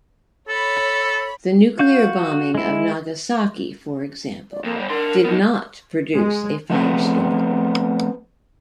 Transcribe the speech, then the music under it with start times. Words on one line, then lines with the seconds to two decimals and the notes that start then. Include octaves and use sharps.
The nuclear bombing of Nagasaki for example, did not produce a firestorm.
0.49 A4 C#5 B5
1.79 F#4 F5 G6
2.55 G#3 E4
4.52 D5
4.64 F2 A#3
4.77 D3 G3
4.90 D4 A#4 C6
5.24 B3 D#4
6.14 G#3
6.70 F3 A3 B3 C4